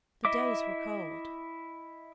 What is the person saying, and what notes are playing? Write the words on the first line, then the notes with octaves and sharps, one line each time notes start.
The days were cold.
E4 D#5 E5 D6